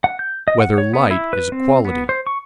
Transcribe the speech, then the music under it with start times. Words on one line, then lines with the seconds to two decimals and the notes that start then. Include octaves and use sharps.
Whether Light Is a Quality?
0.04 F#5
0.19 G6
0.48 D#5
0.60 F#5
0.78 C#5
0.94 B3
1.11 E4
1.33 B4
1.52 C4
1.85 B3
2.09 C5
2.27 C#6